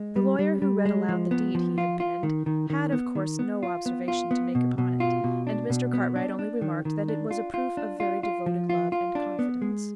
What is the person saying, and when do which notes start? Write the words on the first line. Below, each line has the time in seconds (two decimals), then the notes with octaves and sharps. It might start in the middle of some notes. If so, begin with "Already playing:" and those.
The lawyer who read aloud the deed he had penned, had of course no observation to make upon it, and Mr. Cartwright only remarked that it was a proof of very devoted love and confidence.
Already playing: G#3
0.16 G3
0.39 G3
0.62 G3
0.85 G#3
1.09 F3
1.31 B3
1.55 F3
1.78 F4
2.00 F4
2.23 D#3
2.46 D#3
2.70 D#3
2.92 B3
3.15 D#3
3.39 B3
3.63 F4
3.86 B3
4.08 F4
4.31 B3
4.55 B2
4.78 B2
5.00 F4
5.24 B2
5.47 D4
5.70 B2
5.93 B3
6.16 D4
6.39 D4
6.61 D#3
6.85 D#3
7.08 D4
7.31 F4
7.54 F4
7.77 D4
8.00 F4
8.23 F4
8.46 F3
8.70 F4
8.92 F4
9.15 D4
9.39 B3
9.62 G#3